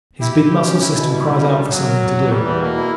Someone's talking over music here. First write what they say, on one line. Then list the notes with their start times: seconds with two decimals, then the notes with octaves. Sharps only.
His big muscle system cries out for something to do.
0.20 E4 G4
0.35 E4
0.51 B2
0.66 C#4
0.80 E4
0.95 B2
1.11 G3 E4
1.26 B2
1.41 A#4
1.55 D4
1.71 F#3 A#3
1.86 A#4
2.01 E2
2.16 E2
2.31 E3 G3
2.46 E2
2.60 B2 A#3
2.75 E4